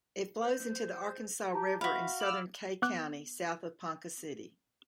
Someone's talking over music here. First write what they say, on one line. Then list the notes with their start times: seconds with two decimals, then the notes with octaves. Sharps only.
It flows into the Arkansas River in southern Kay County, south of Ponca City.
0.41 C5
1.53 G4 A5 A#5
1.81 F#4 E5 F5 B5 C6 B6
2.20 B5 D6 E6 F6 F#7
2.82 B3 D6 F#6